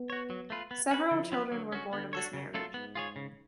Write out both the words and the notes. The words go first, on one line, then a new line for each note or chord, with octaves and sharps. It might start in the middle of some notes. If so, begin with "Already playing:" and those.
Several children were born of this marriage.
Already playing: B3
F#4 C#5
F#3
A3 F4 B4
B3
F#4 B4
D3 F3
F#3 B3 F4 B4
D3 F#3
C#4 F#4
D3 B3
D4 F#4 A4 C#5
F#2 C#3
F#3 A3 F4 A4
G#2 B3
F4 G#4 C#5
C#3